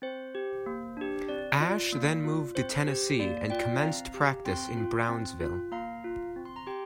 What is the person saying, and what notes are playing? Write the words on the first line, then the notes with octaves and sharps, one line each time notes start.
Ashe then moved to Tennessee and commenced practice in Brownsville.
C4 C5
G4
A#3
D4 G4
C4 D5
F4
A#3
F4
C4 C5
G4
A#3 D5
F4 D5 G5
C4 F5 A#5
G4
C4 G5 C6
F4
C4
F4
A#3 F5 A#5
F4
C4
C6
A#5
G4 G5 C6